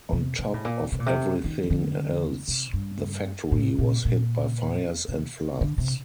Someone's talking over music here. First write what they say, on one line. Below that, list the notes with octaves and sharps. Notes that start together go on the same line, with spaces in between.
On top of everything else, the factory was hit by fires and floods.
C3
C3
A2
A#2
C3
A#2
C3
D#3
D3
C3
G2
A2
A#2
A#2
C3
D3
C3